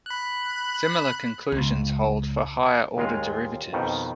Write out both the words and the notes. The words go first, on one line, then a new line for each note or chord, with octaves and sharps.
Similar conclusions hold for higher order derivatives.
B5 F#6
C#2
D#2 G#3 F4
F2 B2 D#3